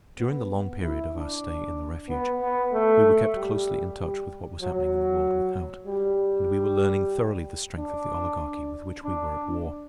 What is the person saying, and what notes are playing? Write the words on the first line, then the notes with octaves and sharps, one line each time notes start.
During the long period of our stay in the refuge, we were kept closely in touch with what was happening in the world without, and we were learning thoroughly the strength of the Oligarchy with which we were at war.
B3
E4
D4
B3
B3
A3
G3
G3
F#3
G3
D4
D4